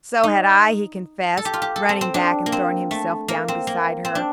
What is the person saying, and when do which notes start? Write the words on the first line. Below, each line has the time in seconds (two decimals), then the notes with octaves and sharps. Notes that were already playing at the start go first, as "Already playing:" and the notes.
"So had I," he confessed, running back and throwing himself down beside her.
0.24 D#4
1.37 A4
1.45 G4
1.53 F4
1.62 G4
1.76 A4
1.89 C4
2.01 C4
2.14 D4
2.46 A#3
2.52 C4
2.91 A3
3.28 A#3
3.48 C4
3.67 A#3
4.05 C4
4.15 D4